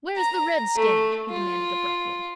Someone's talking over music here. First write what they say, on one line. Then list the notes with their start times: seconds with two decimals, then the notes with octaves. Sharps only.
"Where is the redskin?" he demanded abruptly.
0.16 A#5
0.75 A3
1.30 F4